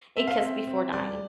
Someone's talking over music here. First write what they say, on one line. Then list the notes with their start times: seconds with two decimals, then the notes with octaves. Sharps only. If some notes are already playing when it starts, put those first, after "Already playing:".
A Kiss Before Dying,
0.17 C4 E5
0.27 F5
0.37 C4 E5
0.67 C4
0.92 G3 D5